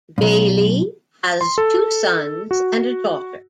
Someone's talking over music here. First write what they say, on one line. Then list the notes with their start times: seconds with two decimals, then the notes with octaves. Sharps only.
Bailey has two sons and a daughter.
0.18 B1 G2
1.41 C6
1.58 A4
2.51 F#4